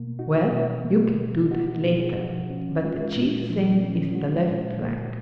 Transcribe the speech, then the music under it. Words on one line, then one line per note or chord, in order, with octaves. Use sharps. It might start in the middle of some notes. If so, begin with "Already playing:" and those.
"Well, you can do that later, but the chief thing is the left flank."
Already playing: B2 A#3
D#4 F#4
B2
A#3
B2
D#4 F#4
F#4
B2 F#4
F4 G#4
F3 F#4
C#4
G#3 F4
A#2
F3
C#4
G#3 F#4
A#2
A#3